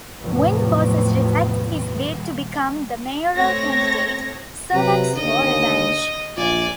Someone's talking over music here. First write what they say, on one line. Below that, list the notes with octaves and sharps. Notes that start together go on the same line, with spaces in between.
When the bosses rejected his bid to become the mayoral candidate, Cermak swore revenge.
E2 A2 C3 F3 F#3 B3
A3 C4 C#5 A#6
C3 F#3 B4 A#5
D#2 D3 D#5
A#1 F4 D5 G#5